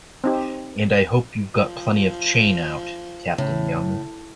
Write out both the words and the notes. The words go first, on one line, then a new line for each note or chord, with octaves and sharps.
And I hope you've got plenty of chain out, Captain Young.
C4 D#4 G4
F3
A2 C#3